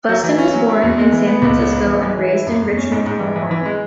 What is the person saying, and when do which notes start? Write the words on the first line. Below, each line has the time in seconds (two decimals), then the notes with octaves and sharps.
Buston was born in San Francisco and raised in Richmond, California.
0.09 F#3
0.24 E3
0.38 C#4
0.54 F#3
0.68 E4
0.83 E2
0.98 G#3
1.12 E3
1.28 B3
1.42 C#2
1.57 B3
1.72 G#2
1.87 E3
2.02 G#3
2.17 E3
2.32 E4
2.46 F#2
2.62 E2
2.77 C#4
2.92 G#2
3.06 G#2
3.21 E3
3.36 E3
3.51 E3
3.66 G#3